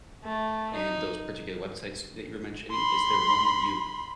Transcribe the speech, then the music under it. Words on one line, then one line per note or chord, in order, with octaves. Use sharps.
and those particular websites that you were mentioning. Is there one that you
A3
D#4
B5 C6